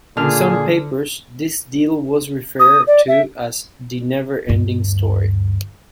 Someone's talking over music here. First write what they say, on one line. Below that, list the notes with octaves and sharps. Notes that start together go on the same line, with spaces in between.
In some papers, this deal was referred to as The never ending story.
A#2 D3 G#4 F6
D#6
D5
E5
D2 G2